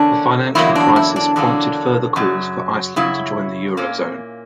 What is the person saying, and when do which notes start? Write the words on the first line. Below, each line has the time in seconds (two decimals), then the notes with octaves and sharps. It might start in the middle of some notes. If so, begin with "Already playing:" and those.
The financial crisis prompted further calls for Iceland to join the Eurozone.
Already playing: E2 D3 A#3 C#4 D4
0.55 E2 D3 F#3 A#3 E4
0.75 D4
0.96 E4
1.16 D4
1.36 E2 D3 F#3 A#3 D4
2.16 F#2 C#3 F#3
2.96 F#2 C#3 F#3 E4
3.77 A#2 A#3 C#4